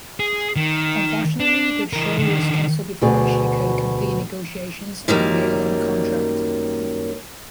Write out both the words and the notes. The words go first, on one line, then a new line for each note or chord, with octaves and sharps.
Unfortunately, the show was canceled before she could complete negotiations on a year-long contract.
G#4
D#3
D4
E3 A#4
D3 D#3
D2 B2 G#4
F#2 D#3 F#3 G3 A#3